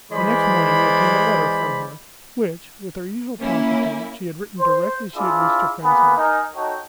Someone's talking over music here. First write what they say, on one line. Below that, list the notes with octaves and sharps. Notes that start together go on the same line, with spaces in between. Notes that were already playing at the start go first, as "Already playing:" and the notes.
The next morning there came a letter from her, which, with her usual promptitude, she had written directly she had reached her friend's house.
E3 G#3 C5 D5 B5
A#3 C#4 E4
C5
D4 E4 F4 G#4 C5 D5
A#3 B3 G#4 B4
D#4 A#4 G#5
D#4 F#4 A4 C#5 G5